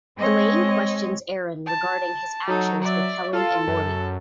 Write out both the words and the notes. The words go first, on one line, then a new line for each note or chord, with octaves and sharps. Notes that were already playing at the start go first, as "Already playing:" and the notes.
Elaine questions Aaron regarding his actions with Helen and Morty.
G#3 C4 C#5 D#5
A5
F#3 D#4 A4
D5 E5
F4 A4
F#2